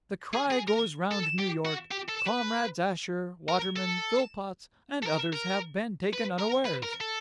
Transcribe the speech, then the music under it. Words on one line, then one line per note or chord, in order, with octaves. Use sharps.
The cry goes round New York, 'Comrades Asher, Waterman, Philpotts, and others have been taken unawares.
G#4
G#4
A#4
A4
G4
F#4
G4
A4
B4
A#4
A4
A4
A#4
A#4
B4
A#4
B4
A#4
A4